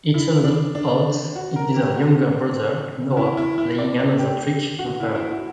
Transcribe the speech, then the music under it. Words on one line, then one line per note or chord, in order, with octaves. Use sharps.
It turns out it is her younger brother, Noah, playing another trick on her.
E4
D4
D4
F#4
A#4
G4
F#4
F#4
E4
E4
E4
D5
D5
G4
G4
F#4
E4
E4
F#4